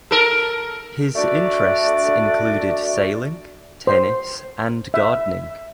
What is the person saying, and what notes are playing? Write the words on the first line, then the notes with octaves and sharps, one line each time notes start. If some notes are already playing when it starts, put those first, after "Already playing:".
His interests included sailing, tennis and gardening.
A4 A#4
A3 D4 F#4 D5
C5
E5